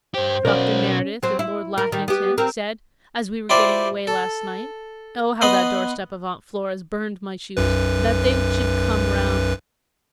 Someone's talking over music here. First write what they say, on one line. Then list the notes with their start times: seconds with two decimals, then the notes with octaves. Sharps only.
Dr. Meredith and Lord Lackington said, as we were getting away last night--oh, how that doorstep of Aunt Flora's burned my shoes!--that they should come round.
0.14 G2 G4 C5
0.45 B1 C#4 F#4 A#4 D5 F5
1.23 F#3 C4
1.39 E4
1.78 A#4
1.92 D#3 G3
2.08 B3 G4
2.38 C4 A#4
3.50 E4 F4 G4 C5 D5 C6
4.07 A4
5.41 B3 B4 D#5 F#5 C6 D#6
7.57 B1 F#2 B4